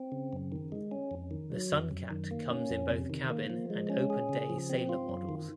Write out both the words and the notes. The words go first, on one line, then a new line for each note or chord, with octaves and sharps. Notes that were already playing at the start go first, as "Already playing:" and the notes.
The Sun Cat comes in both cabin and open day sailer models.
Already playing: C4
C#3
F#2
D#3
G#3
C#4
F2
D#3
F#3
F2
F#2
D#3
A#3
C#4
F2
C3
D#3
A#3
F3
G#3
C#4
G#4
C#3
F3
C4
F4
F#2
D#3